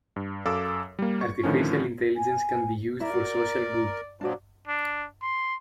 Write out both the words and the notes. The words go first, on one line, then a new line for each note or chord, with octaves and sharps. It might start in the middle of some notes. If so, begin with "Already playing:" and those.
Artificial Intelligence can be used for social good.
G2
F#2 A4 F5 D6 E6
G3 A#3
C#6
A2 D3 D#3 F3 C#4
G#5
E4 A#4 D5
F#4
A#2 F3 F#3 D4 F#4 D5
D4
C6